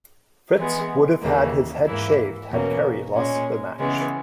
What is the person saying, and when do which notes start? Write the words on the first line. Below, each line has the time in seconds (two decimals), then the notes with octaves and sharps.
Fritz would have had his head shaved had Kerry lost the match.
0.58 E3 G#3 B3
1.22 D#2 C#3 E3 A#3
1.86 G#2 E3 A#3 E4
2.50 E2 B2 A#3 C#4
3.15 A#2 G#3 C#4
3.79 C#3 E3 G#3 B3